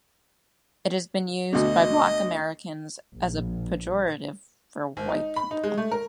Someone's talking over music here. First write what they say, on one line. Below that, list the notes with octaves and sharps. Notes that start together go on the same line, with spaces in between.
It has been used by black Americans as a pejorative for white people.
D2 B2 D3 D#5
A#1
G#1
D#4
B5
D#4
G#3
A3
A#4